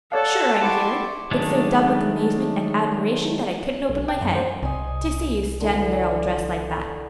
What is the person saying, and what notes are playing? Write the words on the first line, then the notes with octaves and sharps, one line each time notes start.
Sure I'm here--but so dumb with amazement an' admiration that I couldn't open my head--to see you standin' there all dressed like that!
A4 C#5 D5 F5 F#5 A5
E4 G4 F#5 C6 C#6 D7
D#3 F#3 G#3 A3 D4
B1
G5
F#2
C5
C2 D#5 G#5
D3 E3